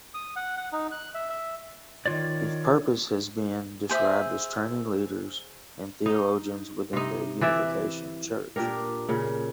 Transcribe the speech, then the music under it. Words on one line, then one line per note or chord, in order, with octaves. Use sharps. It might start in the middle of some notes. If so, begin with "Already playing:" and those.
Its purpose has been described as training leaders and theologians within the Unification Church.
D#6
F#5
F#5
D#4
F#6
E5
E5
D#3 F4 C#5 D5
G#4 C5 E5
D#4
C3 D#4
E3 D5 E5
A#2 D4 G4 A#4
A#2 C#3